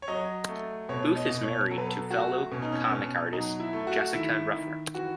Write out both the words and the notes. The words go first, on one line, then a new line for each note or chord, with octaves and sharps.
Booth is married to fellow comic artist Jessica Ruffner.
C#5
F#3 D#5
A3
B2 C#5
C#5
D#5
B2
C#5
F#3 A4
B4
A4
A3 F#4
B2 C#4
D#4
C#4
B2
F#3 D#4
E4
A3
F#4
D#3 E4
D#3
E3 F#4